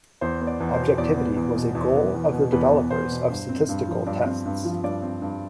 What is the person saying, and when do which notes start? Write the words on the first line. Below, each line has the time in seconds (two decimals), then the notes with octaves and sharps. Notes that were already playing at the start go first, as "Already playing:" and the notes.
Objectivity was a goal of the developers of statistical tests.
0.21 E2 C5
0.41 B3
0.47 D5
0.60 E2
0.73 C5
0.79 B2
0.98 E2 D5
1.17 B3
1.36 E2
1.56 B2
1.75 E2
1.95 B3
2.15 E2
2.33 B2
2.52 E2 B4
2.72 B3
2.90 E2 C5
3.11 B2
3.30 G2
3.49 C4
3.69 G2
3.88 F3
4.06 G2 D5
4.25 C4
4.45 G2
4.64 F3
4.84 G2 D5
5.02 C4
5.22 G2